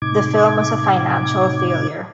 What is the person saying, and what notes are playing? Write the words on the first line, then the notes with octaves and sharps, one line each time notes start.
The film was a financial failure.
A2 C3 D#4 D6 G#6